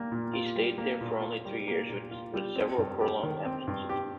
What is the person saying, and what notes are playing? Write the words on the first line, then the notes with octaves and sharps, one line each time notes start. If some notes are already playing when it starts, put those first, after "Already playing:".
He stayed there for only three years, with several prolonged absences.
Already playing: G3 A#3
A#2
F4
G3
A#3
A#2
F4
G3
A#3
A#2
F4
G3
C4
G2
G4
D#3
C4
G2
G4